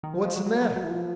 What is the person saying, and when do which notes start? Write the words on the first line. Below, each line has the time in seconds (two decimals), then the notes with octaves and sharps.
"What's the matter?"
0.03 D#3
0.14 F3
0.25 F3
0.36 F#3
0.46 F#3
0.61 F#3
0.76 F#3
0.84 E3
0.90 F3